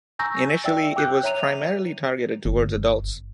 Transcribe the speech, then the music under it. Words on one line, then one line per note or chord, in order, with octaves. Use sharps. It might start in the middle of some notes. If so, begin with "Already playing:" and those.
Initially, it was primarily targeted towards adults.
G#5 A#5 C#6 E6 G6 A#6
D5 E5 G5 E6
G5 D6 E6 F#6 G6
C#5 E5 A#5 D#7 F7
G1